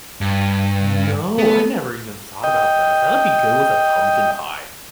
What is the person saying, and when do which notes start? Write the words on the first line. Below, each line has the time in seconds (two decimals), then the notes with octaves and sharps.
No, I never even thought about that. That'll be good with a pumpkin pie.
0.21 G2
1.38 A3 B3
2.44 D#5 G5